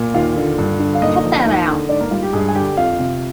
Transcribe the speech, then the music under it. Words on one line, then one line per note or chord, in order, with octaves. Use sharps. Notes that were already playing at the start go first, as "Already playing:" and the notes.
Cut that out!
Already playing: A#2
D#2 F4 F5
D3
G2
D3
F5
A#2 D#4 D#5
F3
D#2
D3
G#2 D4 D5
A#3 A#4
G3 F4
G4
G2 G#3 G#4
G#5
D3 G4 G5
F2 F4 F5
C3